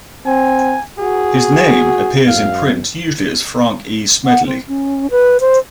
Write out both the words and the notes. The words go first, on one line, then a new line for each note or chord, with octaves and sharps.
His name appears in print usually as Frank E. Smedley.
C4 G#5
F#4 G#4
F#2 F5
F#5
C4
C#4
B4
C5